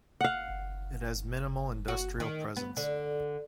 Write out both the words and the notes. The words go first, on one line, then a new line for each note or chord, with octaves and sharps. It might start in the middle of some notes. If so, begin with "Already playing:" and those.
It has minimal industrial presence.
F5 F#5
F#4
D#3
B3
D3